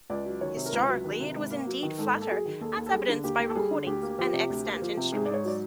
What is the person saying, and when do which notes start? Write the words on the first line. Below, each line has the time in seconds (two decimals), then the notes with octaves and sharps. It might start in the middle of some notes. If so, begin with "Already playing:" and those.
Historically it was indeed flatter, as evidenced by recordings, and extant instruments.
0.10 C#2 D5
0.26 F#3
0.41 D#3 C#5
0.57 C3
0.66 A#4
0.72 C#2 B4
0.88 F#3
1.04 D#3
1.20 C3
1.35 G#2
1.51 A#3
1.67 F#3
1.83 D#3
1.98 G#2 A4
2.14 A#3
2.21 A4
2.30 F#3 G#4
2.45 D#3
2.61 D#2 A4
2.76 D#2
2.86 A4
2.93 G3 G#4
3.08 D3
3.24 D#2 G4
3.39 D#2
3.50 A4
3.55 G3 G#4
3.71 D3
3.86 D2 G4
4.02 A#3
4.18 F3 G4
4.33 C3
4.50 D2
4.66 A#3
4.82 F3
4.97 C3
5.12 G#2 G#4
5.26 D5
5.28 G#2
5.34 C#5
5.44 F#3 D5